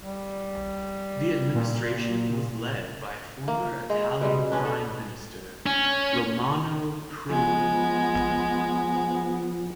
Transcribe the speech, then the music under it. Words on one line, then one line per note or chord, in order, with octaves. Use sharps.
The administration was led by former Italian Prime Minister Romano Prodi.
G3
A#2
A#3
G#3
B2 G3 G#3
B3 C#4 D4
A4
C#4
F3 G#3 B3